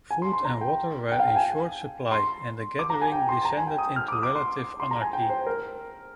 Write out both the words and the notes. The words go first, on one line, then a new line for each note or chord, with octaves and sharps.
Food and water were in short supply, and the gathering descended into relative anarchy.
G#5
C6
C6
A#5
G5
G5
F5
G5
G#5
C6
D6
A#5
G#5
G5
C6
A#5
G#5
G5
D#6
F6
D6
D#6
D6
C6
C6
A#5
G#5
G5
C5
A#4